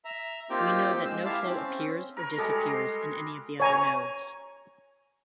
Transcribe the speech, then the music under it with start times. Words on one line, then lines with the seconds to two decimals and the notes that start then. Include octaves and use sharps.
We know that no flow appears or disappears in any of the other nodes.
0.05 E5 A#5
0.50 A#3 C4 D#4 F4 G4 G5
1.05 G#3 E6
1.25 E4 G4 F5 A5
1.46 C4 C#4
2.17 A#4 B4 C#5
2.39 G3 G#3 F#4 A4
2.67 C6
3.60 C#5 G#5 A#5